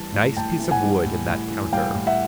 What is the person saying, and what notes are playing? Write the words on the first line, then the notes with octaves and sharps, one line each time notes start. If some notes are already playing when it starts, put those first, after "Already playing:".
Nice piece of wood in that counter.
Already playing: E3 G3 A5
A2
A2 G5 A5
E3
F#5 G#5
G3
A2
A2
E3
G3 F5 G5
A2
E5 F#5